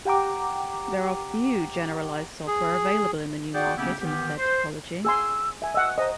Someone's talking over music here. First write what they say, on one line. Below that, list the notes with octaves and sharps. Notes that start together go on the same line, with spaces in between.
There are few generalized software available in the new market in the said topology.
G4 F#5 G5 A#5 D6
G#4
F#4 G#4 D5 F#5 G5
C#3 A#3 B3 C#4 E4 G4
D#3 E3 B3 G4
C5
G#4 G#5 C6 E6
E5 G#5
D#5 F#5 E6
C5 D#5 A#5